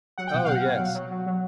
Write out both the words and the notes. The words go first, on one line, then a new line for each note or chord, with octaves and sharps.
Oh yes.
F#3 F#5
G5
B2 F#5
F5
B2 F#5
B2
F#3
F#3
F#3
F#3